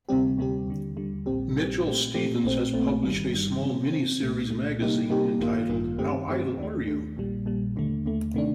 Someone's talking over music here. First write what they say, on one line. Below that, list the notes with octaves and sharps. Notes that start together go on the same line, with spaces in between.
Mitchell Stevens has published a small mini-series magazine entitled How idle are you?
D2 C3 G3 C4 G4
D2 C3 G3 C4 G4
D#2 D3 G3
D#2 D3 G3
A#1 A#2 G3 C4 G4
A#1 A#2 G3 C4 G4
A#2 A3 C4 G4
A#2 A3 C4 G4
A#1 A#2 A3 C4
A#1 A#2 A3 C4
G1 G2 D#3 G3
G1 G2 D#3 G3
C3 F3 C4
C3 F3 C4
C2 A#2 A3
C2 A#2 A3
C3 G3 A#3 D#4 G4
C3 G3 A#3 D#4 G4
A1 G2 D#3 A#3 F4
A1 G2 D#3 A#3 F4
G2 D#3 A3 C4 G4
G2 D#3 A3 C4 G4
D#2 D#3 A3
D#2 D#3 A3
A#1 A#2 G3
A#1 A#2 G3
D#2 D3 A3
D#2 D3 A3
C3 D#3 A3 D4